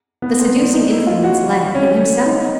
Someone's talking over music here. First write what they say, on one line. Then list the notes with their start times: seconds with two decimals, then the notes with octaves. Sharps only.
The seducing influence lay in himself.
0.22 B3
0.40 C4
0.56 D4
0.73 D#4
0.90 E4
1.07 F4
1.24 F#4
1.75 C#4
2.25 D#4